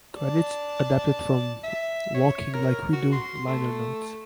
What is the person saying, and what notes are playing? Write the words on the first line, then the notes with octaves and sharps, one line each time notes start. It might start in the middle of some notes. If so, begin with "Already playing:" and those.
Credits adapted from "Walking Like We Do" liner notes.
D5 A5
E5
C#5
A#4
F#4
C6
A3